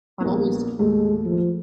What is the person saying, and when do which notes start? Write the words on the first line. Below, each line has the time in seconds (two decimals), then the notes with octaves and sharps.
I'm almost
0.21 A#1 A#3 B3
0.79 D#2 A2 G#3 A3
1.25 F3